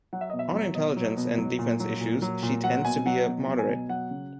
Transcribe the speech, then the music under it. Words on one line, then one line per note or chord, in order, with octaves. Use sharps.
On intelligence and defense issues, she tends to be a moderate.
F#3 F#5
E5
B2 D#5
E5
F#3
B2 D#5
F#3
B2
F#3
A#2
F#3
A#2
F#3
A#2
F#3 F#5
B2 G#5
F#3 F#5
B2
F#3
G#5
B2
F#3 F#5
C#3